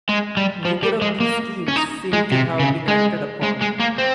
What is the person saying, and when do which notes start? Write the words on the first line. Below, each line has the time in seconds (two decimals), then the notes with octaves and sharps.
Neither of these schemes seem to have been acted upon.
0.09 G#3
0.37 G3
0.65 F3
0.83 G3
1.02 G#3
1.20 A#3
1.68 C#4
1.76 D#4
2.13 G#3
2.32 C3
2.60 C#3
2.88 G#3
3.43 G#3
3.62 G#3
3.80 A#3
3.98 C4